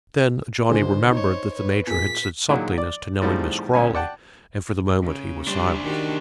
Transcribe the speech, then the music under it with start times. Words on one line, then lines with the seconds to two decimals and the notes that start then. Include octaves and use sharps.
Then Johnny remembered that the major had said something as to knowing Miss Crawley, and for the moment he was silent.
0.69 C#2 D3 G#3 C5
1.10 D#4 C5 C#5
1.55 B4 C#5
1.87 A#2 G#4 B6
2.49 A#2 D3 D#3 F#3 G#3 A#3
2.78 D5
3.22 A2 D#3 F3 G3 G#3 C4
3.73 D2 A#2 C#4 G#5
3.94 D5 F#5 G5 A5
5.01 C#3
5.47 G3 D4 C5
5.84 D#3 F#4 G4